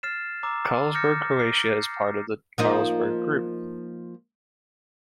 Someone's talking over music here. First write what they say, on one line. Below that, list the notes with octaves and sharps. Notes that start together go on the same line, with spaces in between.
Carlsberg Croatia is part of the Carlsberg Group.
F6 A6 C7 E7
A#5 D6 E6
D6 F6 G6 A6 A#6 C#7
C7
F3 A#3 D#4